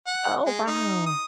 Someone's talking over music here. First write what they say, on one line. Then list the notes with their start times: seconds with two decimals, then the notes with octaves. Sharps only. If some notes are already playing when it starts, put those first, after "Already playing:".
Oh, wow.
0.06 F#5
0.46 G#3
0.67 D#4
1.06 D#6